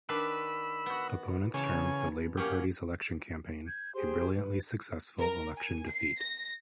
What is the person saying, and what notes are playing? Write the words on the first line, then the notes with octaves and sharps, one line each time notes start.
Opponents termed the Labour Party's election campaign "a brilliantly successful election defeat".
D#3 D4 B4 B5 E6
B3 F#4
C#3 E3 C#5 G#5 A5
F#3 A#3 C#4 G4
G6 G#6
G4 G#4 C5 C6
B4
A#4
G#5
C7
A#6